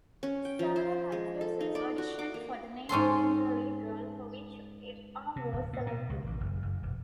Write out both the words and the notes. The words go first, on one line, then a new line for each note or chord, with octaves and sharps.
Several actresses auditioned for the main female lead role for which Aw was selected.
C#4
G5
F3
C5
G#3
A4
D#4
D5
F#4
D6
A#3
G#2 C#4 A4 C6
C3
D1
A2
B2
C#2
A1
F#1
F#1
E1